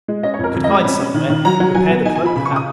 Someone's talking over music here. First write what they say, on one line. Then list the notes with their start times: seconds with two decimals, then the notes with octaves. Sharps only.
I could hide somewhere, repair the cloak perhaps.
0.08 G#3
0.23 C#4 D#5
0.34 C#5
0.39 F2 A#4
0.54 F2
0.64 D#5
0.69 G#3
0.74 A#5
0.84 C#4 B5
1.00 C#4
1.14 D#3
1.30 D#3
1.45 F#3 A#5
1.60 F#3
1.75 F#3 G#5
1.90 B3
2.05 D#4 G#5
2.15 G#5
2.21 F3 B5
2.36 C#3 B5
2.45 C#6
2.50 C#3
2.56 D#6